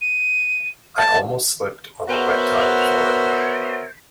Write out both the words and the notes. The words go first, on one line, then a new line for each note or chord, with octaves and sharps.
I almost slipped on the wet tiled floor.
D#7
A5
B3 F#4 A#4 C5 C#5 E5